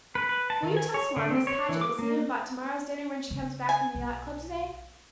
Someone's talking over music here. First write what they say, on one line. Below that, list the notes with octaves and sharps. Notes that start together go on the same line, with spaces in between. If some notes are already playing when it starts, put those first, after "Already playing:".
Will you tell Swann Miss Paget will see him about to-morrow's dinner when she comes back from the yacht club to-day?
B4
B4
A5
D#3
G#5
C#5
D3
C4
C#5
E3
D6
A#3
C#3
G#5
B1